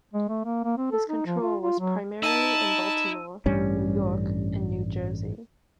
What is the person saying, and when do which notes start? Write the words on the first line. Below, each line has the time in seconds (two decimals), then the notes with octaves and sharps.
His control was primarily in Baltimore, New York, and New Jersey.
0.14 G#3
0.28 A3
0.45 A#3
0.64 A#3
0.78 C4
0.92 A4
1.09 D#4
1.26 F3
1.41 F4
1.61 F4
1.80 F#3
2.23 D#4 E4 A5 E6 D#7
3.46 A1 G2 G3 C#4